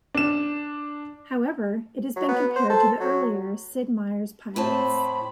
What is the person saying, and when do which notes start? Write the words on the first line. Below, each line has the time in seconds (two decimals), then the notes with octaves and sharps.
However, it has been compared to the earlier Sid Meier's Pirates!
0.15 D4 E7
2.16 F#3
2.28 B3
2.56 C5
2.70 A4
3.00 F#3
4.56 A2 C4 A5 B5